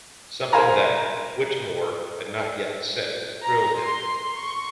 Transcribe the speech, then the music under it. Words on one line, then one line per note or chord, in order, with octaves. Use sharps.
Something that Whittemore had not yet said thrilled him.
A#4 C5 F5 G#5 A#5 B5
A#5
C6
C#6